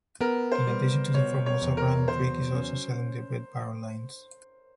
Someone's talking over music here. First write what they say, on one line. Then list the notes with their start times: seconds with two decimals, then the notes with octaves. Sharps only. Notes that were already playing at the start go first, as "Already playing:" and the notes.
In addition to the Formosa brand, Brick is also selling the Red Baron lines.
0.21 B3 A#4
0.52 C5
0.67 G3
1.14 B2 C#5
1.46 C#5
1.62 E2
1.77 A#4
2.08 F#3 C5
2.55 C#4